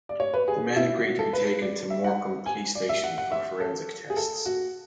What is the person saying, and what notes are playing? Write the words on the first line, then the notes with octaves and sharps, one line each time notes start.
The men agreed to be taken to Morecambe police station for forensic tests.
D5
C#5
B4
G#4
E4
F#4
A4
B4
D5
E5
F#5
G#5
D5
E5
F#5
F#5
E5
A4
G#4
A4
F#4